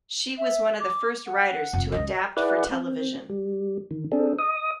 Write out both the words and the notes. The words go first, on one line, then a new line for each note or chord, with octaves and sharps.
She was one of the first writers to adapt for television.
E5
D6
F#5
F1
C#2 G#3 D#5
E4 G#4 B4 D5 F#5
C4
G3
D#3
C4 D4 G#4 A4
D#5 D#6